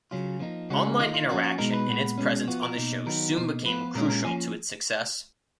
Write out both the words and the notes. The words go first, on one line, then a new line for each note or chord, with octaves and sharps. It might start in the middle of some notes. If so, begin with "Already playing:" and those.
Online interaction and its presence on the show soon became crucial to its success.
C#3 F#3 C#4 F4
F3 A#3 D#4
C#3 G#3 C#4 F#4
D#3 A#3 D#4 F4
F4
F3 A#3 C#4 F4 F#4
F#4
B2 G#3 D#4 A#4
B4
A#2 G#3 B3
B2 G#3 C#4
F3 B3 F4 F#4
A#4
B2 A#3 D#4
D#3 F#3 B3 D#4 A#4
B2 A#3 D#4
F3 B3 F4 B4
A#2 G#3 C#4 F4 A#4
A#4
F3 A#3 C#4 F4 G#5